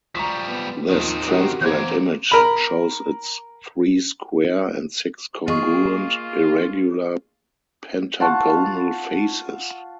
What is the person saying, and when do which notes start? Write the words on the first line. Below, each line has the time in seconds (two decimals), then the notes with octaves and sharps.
This transparent image shows its three square, and six congruent irregular pentagonal faces.
0.15 F3 G3 A#5 C#6 B6
0.48 B3
0.89 D#2 D#3 F3 C4
1.27 F#4 G4 A#4
1.62 E2 A#3 C5 G#6
2.32 A#4 B5
5.48 A#3 F4 G#4 D#5 C#6
8.20 F4 F#5 A5 C#6